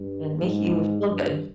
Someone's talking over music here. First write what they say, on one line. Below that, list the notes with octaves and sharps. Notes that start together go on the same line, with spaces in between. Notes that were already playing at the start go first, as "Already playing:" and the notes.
and make you feel good.
Already playing: G2
G#2
G2